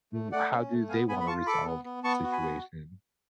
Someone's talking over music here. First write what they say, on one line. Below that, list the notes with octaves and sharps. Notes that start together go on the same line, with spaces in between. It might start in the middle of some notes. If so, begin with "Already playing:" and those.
w how do they wanna resolve the situation?
A3
A3 D5 F#5
C#4
A3
B3 F5 G#5
B3 G#5 B5
B5
F4 A5 C#6
A4 B5 D6
B3
B3
B3 A5 C#6
F#4
G#5 B5
B3